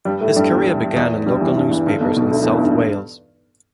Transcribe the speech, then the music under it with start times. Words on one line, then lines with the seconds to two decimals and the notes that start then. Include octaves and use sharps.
His career began in local newspapers in South Wales.
0.05 G2 G3
0.20 A2 A3
0.36 G2 G3
0.51 E2
0.96 E2
1.26 G2 G3
1.41 E2 E3
1.56 G2 G3
1.71 E2 E3
1.87 G2
1.94 D3
2.00 B1 B2
2.16 B1 B2
2.30 D2 D3
2.42 E2 E3
2.54 B1 B2
2.64 G2